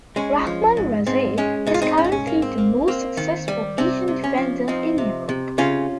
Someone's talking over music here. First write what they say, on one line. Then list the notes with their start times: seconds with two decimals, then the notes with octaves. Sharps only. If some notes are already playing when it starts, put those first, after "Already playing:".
Rahman Rezaei is currently the most successful Asian defender in Europe.
0.16 G#3 C#4
0.47 F3
0.77 G#2
1.06 G#2 C4
1.38 G#3 C#4
1.67 G#2 D#4
1.74 F4
1.82 C4 D#4
1.97 G#2 C#4
2.04 D#4
2.12 C#4
2.27 A#3
2.42 C4
2.58 A#3
2.88 A#3 C4
3.17 D#3
3.48 G3
3.78 C3 C4
4.08 C3
4.24 C#4
4.37 F3
4.68 F3 C4 D#4
4.98 C3
5.29 C3
5.58 C#3 C#4 F4